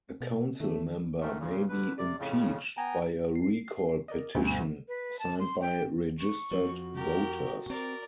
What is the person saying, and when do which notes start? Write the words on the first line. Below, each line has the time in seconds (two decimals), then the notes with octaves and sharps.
A councilmember may be impeached by a recall petition signed by registered voters.
0.21 B2
0.60 D#3 A3
1.20 G#2 D#3 A3
1.40 G2 A#2 C#3
1.69 D2 B4
1.98 C3 D5
2.19 F2 A2 C#3
2.77 B3 G5 G#5 A#5
3.35 C7
4.08 A#4 D5 D#5
4.35 D2 G2 B2
4.88 B4
5.19 A5
5.40 C6
5.61 G5
6.18 C#6
6.51 F2 F3 F#4
6.95 G4 A#4
7.70 C4 A#4 D5